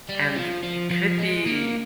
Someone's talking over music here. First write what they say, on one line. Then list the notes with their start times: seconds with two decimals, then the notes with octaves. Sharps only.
and it could be
0.09 G3
0.36 F3
0.63 F3
0.91 F3
1.18 G#3
1.46 A#3